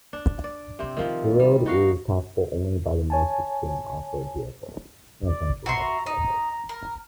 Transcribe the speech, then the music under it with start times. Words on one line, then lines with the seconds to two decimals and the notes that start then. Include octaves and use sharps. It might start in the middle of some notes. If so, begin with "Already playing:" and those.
The road is passable only by the most extreme off-road vehicles and adventure motorcycles.
0.13 D4
0.44 D5
0.79 C3 C4
0.97 D#3 F3
1.40 G3
1.66 D#4 F#4 F5
3.10 C#5 G#5 A5
5.27 D5
5.66 F#4 E5 A#5 C6
6.06 D#4 A#5
6.69 A#4